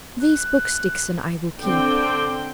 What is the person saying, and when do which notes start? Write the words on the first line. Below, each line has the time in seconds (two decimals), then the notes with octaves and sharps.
'These books, Dixon, I will keep.
0.21 F#6
1.63 D3 C4 G5 D6